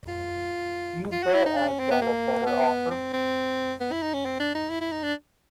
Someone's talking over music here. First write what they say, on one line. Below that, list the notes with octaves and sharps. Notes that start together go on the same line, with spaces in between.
You bet I've got a better offer.
F4
F4
F#4
E4
D#4
D4
C#4
C4
B3
A#3
B3
C4
C4
B3
E4
D#4
C#4
C4
D4
D#4
E4
E4
D#4
D4